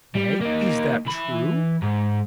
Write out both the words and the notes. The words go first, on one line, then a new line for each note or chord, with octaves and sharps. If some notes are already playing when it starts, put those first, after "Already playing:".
"Nay, is that true?"
G3
A#3 D#4
E3 B5
G#2